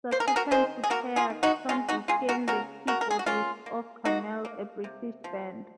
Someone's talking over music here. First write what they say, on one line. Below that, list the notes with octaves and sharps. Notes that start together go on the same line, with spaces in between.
Subsequent to Kayak, Ton became the keyboardist of Camel, a British band.
A#3 C5
A#4
G#4
F#4 A#4
D#3 G#4 C5
G#4
A#3 F#4 A#4
F4 G#4
D#3
D#4 F#4
G#3 C#4 F4
D#4 F#4
C#3 F4 G#4
F#4 A#4
C#3 F#4 A#4
C#3 F#4 A#4
A#4
G#4
F#4
A#3 C#4 F4
A#3
A#3 D#4 F#4
A#3
C3
F3